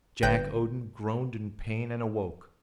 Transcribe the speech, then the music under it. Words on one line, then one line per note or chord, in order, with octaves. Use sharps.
Jack Odin groaned in pain and awoke.
G1 B4 G5 G6 A#6